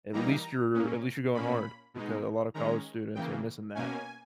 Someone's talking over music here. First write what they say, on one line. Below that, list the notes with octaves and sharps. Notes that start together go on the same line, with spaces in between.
at least you're at least you're going hard, because a lot of college students are missing that.
E3 G3 A#3 D#4 A#5
A#2 A#3 C#4
A#2 A#3 C#4 B5
B2 G#3 D#4
D#3 G#3 C#4 A#5
C#3 E3 A#3 G5
B2 A#3 C#4 G#5